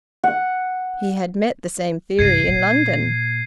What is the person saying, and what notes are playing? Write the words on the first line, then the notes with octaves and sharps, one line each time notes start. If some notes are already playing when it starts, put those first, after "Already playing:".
He had met the same theory in London.
F#5
C2 G2 G#6 C7 D#7
A#2